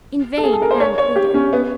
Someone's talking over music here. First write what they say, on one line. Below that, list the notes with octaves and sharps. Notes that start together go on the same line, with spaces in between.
In vain Anne pleaded.
A4
G#4
A4
A#4
C5
C#5
C#5
G4
C#4
B3